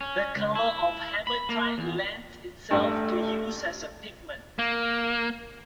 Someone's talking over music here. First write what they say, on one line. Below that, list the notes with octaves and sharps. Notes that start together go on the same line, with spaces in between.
The color of hematite lends itself to use as a pigment.
C#4
C#2
E4
B5
A#3
E2
A1 G2 A3
A#3